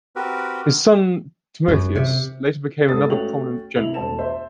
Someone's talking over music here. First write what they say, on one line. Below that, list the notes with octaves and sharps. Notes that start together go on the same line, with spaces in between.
His son Timotheus later became another prominent general.
C4 F#4 G4 A#4 B4
F#2
C3
G#2 A4 B4 D#6 A6
A3 C#4 F#4 G5 F7 F#7
C3 E4 F7 F#7
E1 A3 C5 A5 E7
C5 E5